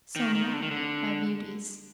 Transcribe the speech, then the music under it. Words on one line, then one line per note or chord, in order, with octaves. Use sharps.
So, marry, my beauties.
D#3
D#3
D3
D#3
D3